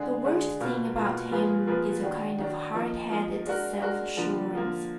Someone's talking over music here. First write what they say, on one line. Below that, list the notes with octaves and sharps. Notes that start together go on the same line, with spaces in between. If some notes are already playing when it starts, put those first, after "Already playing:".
The worst thing about him is a kind of hard-headed self-assurance.
Already playing: D3 G#3 D4 G#4
D3 G#3 D4 G#4
B2 A#3 F4
B2 A#3 F4
F3 A#3 F4 G#4 B4
F3 A#3 F4 G#4 B4
D#3 F#3 D4
D#3 F#3 D4
F3 A#3 D#4
F3 A#3 D#4
G#3 D4 F#4 A#4
G#3 D4 F#4 A#4
D3 F3 A#3
D3 F3 A#3